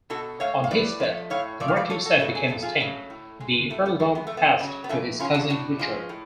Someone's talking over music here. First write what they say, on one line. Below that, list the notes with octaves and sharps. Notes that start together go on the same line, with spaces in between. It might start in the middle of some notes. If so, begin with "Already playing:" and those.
On his death the marquessate became extinct; the earldom passed to his cousin Richard.
B2 F#4 A4
A3 C#5 F5
F5
A2 B4 D5
F3 A3
A2 C#5 F5
F3 A3 D5
F5
B4 D5
F2 A4 C#5
F#4 A4
G#4
C#3 F#3 A3 F#4 A4
G#4
F2 A4
F4 G#4
C#3 F#3 A3
A2
G#3
A2 A3
B3
G#3 A3
B3
F2 A3
B3
C#3 F#3
B3
F2 A3 C#4
C#3 F#3 C#4 F4
D4 F#4
A2 D4 F#4
F3 G#3
A2